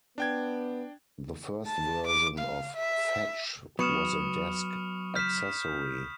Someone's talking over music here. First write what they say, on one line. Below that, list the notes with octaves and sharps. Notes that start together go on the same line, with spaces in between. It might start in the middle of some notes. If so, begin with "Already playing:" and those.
The first version of Fetch was a desk accessory.
B3 D4 G5 G#6
A5
D6
F5
E5
F#3 B3 B5 C#6 D#6 F6 C#7 E7
F6 G6 B6 E7